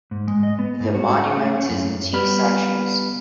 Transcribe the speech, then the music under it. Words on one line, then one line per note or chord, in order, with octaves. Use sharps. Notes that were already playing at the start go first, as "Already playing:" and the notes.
The monument is in two sections.
G#2
G#3
D#5
B3
G#2
F#4
F#5
A3
C#4
F#2
G3 B3 B5 F6